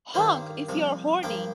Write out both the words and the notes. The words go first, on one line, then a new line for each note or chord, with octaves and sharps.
Honk if you are horny!
G2 D#3 G3 A#3 C5
C2 C3 F3
G2 F3 A#3 G5